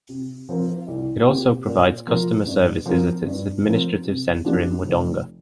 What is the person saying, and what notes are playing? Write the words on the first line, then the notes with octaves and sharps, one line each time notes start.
It also provides customer services at its administrative centre in Wodonga.
C3
F3 C4 A#4
C2
C3 A#3 G4
A#2
F3 A#3 F4 A#4
G2
F3 C4 A#4
G2
F3 C4 A#4
C3
F3 A#3 D4 G4
F1